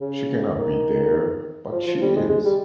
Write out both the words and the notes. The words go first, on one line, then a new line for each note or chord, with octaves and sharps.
She cannot be there, but she is!
C#3
D#3
F3
F3
G3
G#3
G#3
G3